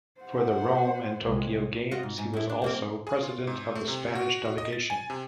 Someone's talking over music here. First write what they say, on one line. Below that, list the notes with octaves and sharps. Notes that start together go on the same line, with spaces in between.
For the Rome and Tokyo Games, he was also President of the Spanish delegation.
C5 F#5
C2 G#3
F4 F#4 D#5
G#2
G#2
A2 E4
D4
G3 A#3 C4
G#4
F4
G#2
A3
C3
F#4
F#4
D#5
A6
G#5
C3